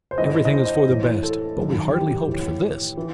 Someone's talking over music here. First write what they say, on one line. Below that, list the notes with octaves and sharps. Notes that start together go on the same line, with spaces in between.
Everything is for the best, but we hardly hoped for this!
C5
G2 E3 D#5
D#5
C5
A2 E3
A4
F#2 D#3
G4
A2 E3
E3